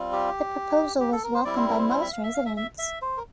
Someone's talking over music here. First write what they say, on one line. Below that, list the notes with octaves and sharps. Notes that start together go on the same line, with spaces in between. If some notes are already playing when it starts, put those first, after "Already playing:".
The proposal was welcomed by most residents.
Already playing: G3 C4 F4
G4
G4
A4
A#4
C5
G3 C4 E4 D5
C5
A#4
C5
C5
E5
F5
E5
F5
E5
E5
E5
C5
A#4